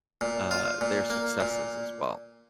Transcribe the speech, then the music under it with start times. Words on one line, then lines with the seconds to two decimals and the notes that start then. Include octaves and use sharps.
uh, their successes as well.
0.21 A#2
0.51 F4
0.81 A#2
1.10 A#3
1.40 A#2